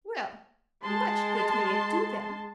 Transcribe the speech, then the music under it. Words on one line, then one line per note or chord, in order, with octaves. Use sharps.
Well, much good may it do them!
G#3 A5 C6